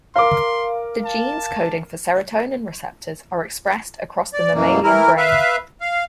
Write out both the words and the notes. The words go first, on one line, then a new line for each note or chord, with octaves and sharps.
The genes coding for serotonin receptors are expressed across the mammalian brain.
A#4 F5 C6 D6
A5
D5
F#2 B2 E3 A#3
E3 E4 A#4
B4 E5 F5
F5